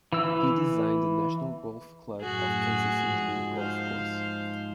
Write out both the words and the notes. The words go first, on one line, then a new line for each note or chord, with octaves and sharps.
He designed the National Golf Club of Kansas City golf course.
E3 E6
F#2 A2 F#4 G#4
G#2 F3
C5 F5